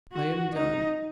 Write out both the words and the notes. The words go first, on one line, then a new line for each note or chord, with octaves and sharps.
I am done.
F#4
D#4